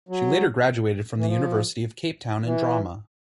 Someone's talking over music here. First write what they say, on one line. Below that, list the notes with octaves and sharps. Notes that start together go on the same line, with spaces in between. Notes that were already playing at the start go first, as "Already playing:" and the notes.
She later graduated from the University of Cape Town in drama.
F#3
E3
F3
E3